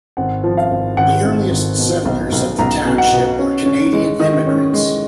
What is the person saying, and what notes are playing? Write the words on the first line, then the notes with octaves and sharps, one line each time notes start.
The earliest settlers of the township were Canadian immigrants.
G#1 F#5
F3
F5
G#1
G#1 F#5
G#1
G#1
B2
B1
B1
B1 A#5
B2
F#5
B2
C#4
C#4
G#3
D#3 D#5
C#4
G#3